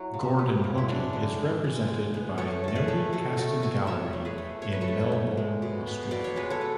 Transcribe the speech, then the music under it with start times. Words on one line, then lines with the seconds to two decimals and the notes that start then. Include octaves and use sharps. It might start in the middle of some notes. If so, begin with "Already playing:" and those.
Gordon Hookey is represented by Nellie Castan Gallery in Melbourne, Australia.
Already playing: F#3 E4
0.14 C#3
0.39 B3
0.64 C#3
0.78 E4
0.88 G#3 D4 F#4
1.13 D3
1.39 G#3
1.64 G#3
1.88 G#3
2.14 B3
2.38 A3 A4 C#5
2.64 A3 A4
2.75 G#4 B4
2.88 A3
3.13 A3 F#4 A4
3.37 A3 F#4 A4
3.62 A3 E5 G#5
3.87 A3 C#5 E5
4.13 A3
4.25 G#4 B4
4.38 A3
4.62 A3 C#5
4.72 B4
4.81 A4 C#5
4.88 A3
5.12 A3
5.37 G#3
5.62 B2
5.87 B3
6.11 B2 D5
6.24 C#5
6.36 G#3 B4
6.50 A4 C#5
6.61 B3